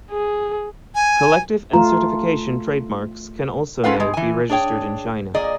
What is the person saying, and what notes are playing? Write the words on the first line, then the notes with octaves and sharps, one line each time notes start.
Collective and certification trademarks can also now be registered in China.
G#4
G#5
A3 F4 A#5
C#4 F4 A4 B4 F5 F#5
B2 G#3
E3 G#5
D4 G#4 C#5 G5
A#2 G#4 D5 D#5